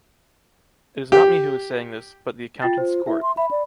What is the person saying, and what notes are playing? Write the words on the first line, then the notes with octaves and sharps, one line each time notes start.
It is not me who is saying this, but the accountants’ Court.
G4
F4 G5 A6
F4 C5
E4 E5
C6
E5 B5
D5